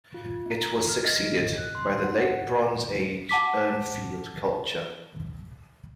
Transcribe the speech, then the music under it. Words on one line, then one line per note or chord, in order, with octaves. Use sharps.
It was succeeded by the Late Bronze Age Urnfield culture.
F4
A#5
F6
D#5
F#6
C6
F#5
F#5 A5 D6 B6